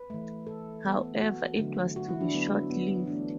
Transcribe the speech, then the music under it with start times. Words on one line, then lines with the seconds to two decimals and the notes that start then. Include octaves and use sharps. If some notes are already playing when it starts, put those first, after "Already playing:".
However, it was to be short-lived.
Already playing: B4
0.10 E3 A3
0.47 A4
0.84 E3 B3
1.21 F#4
1.58 D3 F#3 A3
1.96 F#4
2.08 E4
2.21 D4
2.33 D3 F#3 B3
2.70 B3
3.07 E3 A3 D4